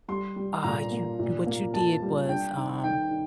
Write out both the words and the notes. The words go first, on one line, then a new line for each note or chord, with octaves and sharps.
Ah, you you what you did was, um,
G3 C6
G3
A#2 A#5
A#3
A#2
A#3
A#3 A5
G3
D4 G5
D#3
D#3 G5
D#3